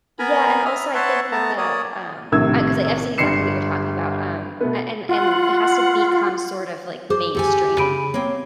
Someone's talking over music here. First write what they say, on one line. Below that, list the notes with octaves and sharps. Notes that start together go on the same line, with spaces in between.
Yeah, and also, I think, like, the, um, I 'cause I've seen exactly what you're talking about, um, and and and it has to become sort of, like, mainstream,
B3 A#4 G#5 A#5 B5
E5 D#6 F6
B4 C#5 E5 F#5 A5 C6
A3 B3 A5 A#5
A#3 C#5 D5 D#6
A#1 A2 C3 D#3 E6 G#6
G1 G3 C6 C7 C#7 E7
B2 A3 B3
F4 F#5
G#4 C5 D6
D2 G4 A4 G#5
C#3 B5 D7 D#7
A#3 C4 C#5